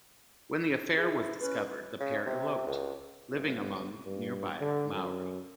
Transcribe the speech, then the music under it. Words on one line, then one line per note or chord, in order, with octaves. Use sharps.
When the affair was discovered the pair eloped, living among nearby Maori.
E4 G#4
C#4 B4
C#3
C3
C#2
G1
G2
D3
F#2